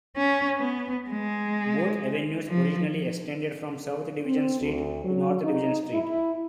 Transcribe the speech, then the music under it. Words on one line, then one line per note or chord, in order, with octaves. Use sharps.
Both avenues originally extended from South Division Street to North Division Street.
C#4
B3
G#3
F3
C4
D2
F#3
D#4
E4